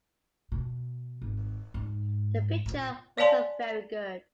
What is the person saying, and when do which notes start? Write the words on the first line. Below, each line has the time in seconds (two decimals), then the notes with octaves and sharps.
The picture wasn't very good.
0.52 B2
1.22 G#1
1.74 G#2
2.66 A#2
3.18 C#5 D5 F5 G#5 A5 C6